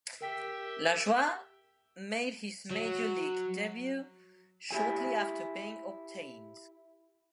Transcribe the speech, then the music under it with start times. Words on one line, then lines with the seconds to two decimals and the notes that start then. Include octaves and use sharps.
Lajoie made his major league debut shortly after being obtained.
0.21 G4 A#4 E5 G5 B6
2.71 F#3
4.71 E4 G4 G#5